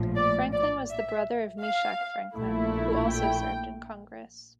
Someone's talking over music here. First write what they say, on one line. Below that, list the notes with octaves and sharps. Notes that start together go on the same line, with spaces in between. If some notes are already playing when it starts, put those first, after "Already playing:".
Franklin was the brother of Meshack Franklin, who also served in Congress.
Already playing: A#1 A2 F3
D5
D5
E5
F5
A#1 A#2 A3 E4
G5